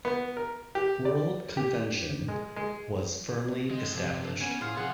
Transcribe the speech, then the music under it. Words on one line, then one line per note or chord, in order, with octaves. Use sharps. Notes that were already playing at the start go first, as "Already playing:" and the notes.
'World Convention' was firmly established.
B3
A#4
G4
D5
G4
G#3
G#3
G#3 C4 D#5
C3 F3
G2
B3 C#4 G#5
A2 F4 G#4
C3 F3 F4 G#4 F#5